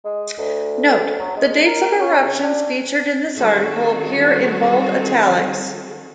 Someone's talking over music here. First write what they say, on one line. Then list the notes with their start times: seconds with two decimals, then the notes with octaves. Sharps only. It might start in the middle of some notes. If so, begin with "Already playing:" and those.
Note: The dates of eruptions featured in this article appear in bold italics.
0.05 G#3
0.38 D2
1.19 F#3
1.37 G#3
1.66 A#4
2.00 C#4
2.23 C#3
2.42 D4
3.36 D#3 G3 C4 C#4 F#4 A4